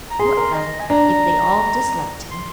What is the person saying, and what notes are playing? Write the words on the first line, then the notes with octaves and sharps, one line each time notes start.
"What, then, if they all disliked him?"
A#5
G#4 C6
A#4
D#5
G#5
D4 A#5
C6